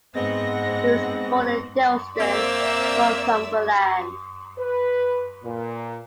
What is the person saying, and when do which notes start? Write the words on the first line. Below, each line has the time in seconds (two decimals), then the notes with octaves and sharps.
He was born in Dilston, Northumberland.
0.16 G#2 G#3 B3 C4 F#5 A#6
2.19 A#3 C4 D5 E5 E6
4.58 B4
5.44 A#2